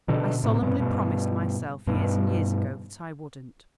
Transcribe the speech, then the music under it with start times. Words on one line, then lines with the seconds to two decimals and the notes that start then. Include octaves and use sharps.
I solemnly promised myself years and years ago that I wouldn't.
0.08 B2 D3
0.44 A2 C3
0.62 G2 B2
0.80 G2 B2
1.87 G2 B2